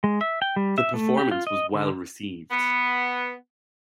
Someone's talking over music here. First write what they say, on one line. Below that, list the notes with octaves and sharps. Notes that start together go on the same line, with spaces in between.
The performance was well received.
G#3
E5
G5
G3
E5
A3
G4
F4
D#5
D3
B3